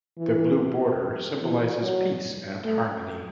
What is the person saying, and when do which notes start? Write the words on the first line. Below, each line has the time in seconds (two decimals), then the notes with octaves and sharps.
The blue border symbolizes peace and harmony.
0.18 E3
1.41 E3
1.82 F#3
2.64 A3